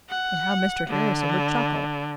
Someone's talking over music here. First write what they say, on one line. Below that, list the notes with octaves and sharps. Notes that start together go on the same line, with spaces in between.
And how Mr. Harrison would chuckle!
F#5
D3